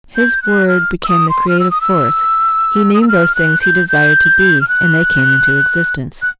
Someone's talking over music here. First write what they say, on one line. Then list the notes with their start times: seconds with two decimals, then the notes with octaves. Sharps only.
His word became the creative force; he named those things he desired to be, and they came into existence.
0.16 G6
0.42 F#6
0.68 F6
1.04 E6
1.09 D#6
1.29 C6
1.49 F6
1.60 E6
1.71 D#6
1.81 E6
2.94 D#6
3.02 E6
3.08 F6
3.35 F#6
3.62 G6
3.89 G6
4.61 F6
4.68 F#6
6.22 F#6